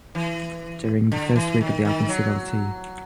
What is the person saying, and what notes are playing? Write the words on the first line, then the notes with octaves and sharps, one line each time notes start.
During the first week of the offensive Lt.
E3
D3
E3
D#3
D#3
F#3